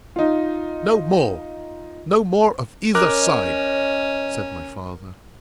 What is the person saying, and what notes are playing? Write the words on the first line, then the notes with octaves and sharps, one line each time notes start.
No more!--No more of either side, said my father.
D#4 F4
C#4 A#4 C#5 D#5 D6 F#6